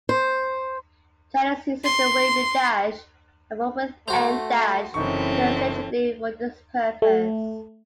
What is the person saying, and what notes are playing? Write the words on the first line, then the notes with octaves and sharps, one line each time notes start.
Chinese uses the wavy dash and full-width em dash interchangeably for this purpose.
C5
C6
A3 F#4 C5 F7
F#1 E3 C4 C#4 D#4 A4 C#6
A3